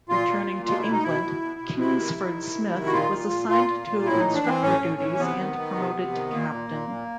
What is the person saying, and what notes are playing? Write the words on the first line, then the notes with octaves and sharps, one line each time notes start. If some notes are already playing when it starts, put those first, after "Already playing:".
Returning to England, Kingsford Smith was assigned to instructor duties and promoted to Captain.
A#2 F4
A#2
A#2
B2 F4
E4
B2
D#4
B2 E4
B2
B2
B2
C3 E4
D#3
D#3
C3
C3
D#3
F#4
A#2 F4
A#2
A#2
A#2 F4
A#2
A#2
A2 E4
E3 D#4
D4
E3 C4
A2 C#4
A2
E3
C3 B3
D#3
D#3
C3
C3
D#3
A#2 A#3
A#2
A#2
A#2